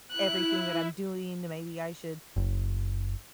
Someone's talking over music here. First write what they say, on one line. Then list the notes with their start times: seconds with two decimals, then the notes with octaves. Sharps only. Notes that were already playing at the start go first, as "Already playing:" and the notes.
everything that I'm doing, then maybe I should
0.11 E4 F#6
2.36 F#1